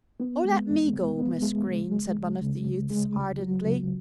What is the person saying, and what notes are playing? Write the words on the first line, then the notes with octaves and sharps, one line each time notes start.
"Oh, let me go, Miss Greene," said one of the youths ardently.
B3
G#3
E2
B2
B3
G#3
C#2
G#3
C#2
C#3
C#2
G#3
C#2
F#3
C#2